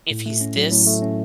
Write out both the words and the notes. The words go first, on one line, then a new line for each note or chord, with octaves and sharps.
If he's this
A2
A3
C#4
F#3
A2
A3
C#4